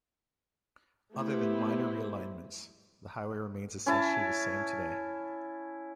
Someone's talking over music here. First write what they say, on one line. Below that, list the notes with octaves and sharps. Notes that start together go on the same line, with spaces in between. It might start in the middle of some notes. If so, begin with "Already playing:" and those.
Other than minor realignments, the highway remains essentially the same today.
A3 B3 E4 G4 C5
C#4 E4 A5